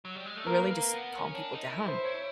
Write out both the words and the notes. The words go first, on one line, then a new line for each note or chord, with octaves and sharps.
really just calm people down,
F#3
G3
G#3
A3
A#3 A#4
B4
A#3 A#4
B3
C#4
D4
D#4
E4
C5
C#5